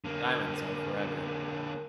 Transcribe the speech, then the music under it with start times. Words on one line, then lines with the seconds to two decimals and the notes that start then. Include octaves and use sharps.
Diamonds are forever.
0.05 D3 A#3